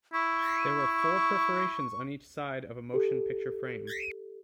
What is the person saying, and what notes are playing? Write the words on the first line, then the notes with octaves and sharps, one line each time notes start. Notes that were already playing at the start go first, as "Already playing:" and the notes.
There were four perforations on each side of a motion picture frame.
E4 C#6
G4 A4